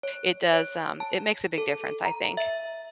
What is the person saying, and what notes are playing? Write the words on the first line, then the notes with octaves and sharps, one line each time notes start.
it does um, it makes a big difference, I think.
C#5
C#5
A5
A4
A#5
E5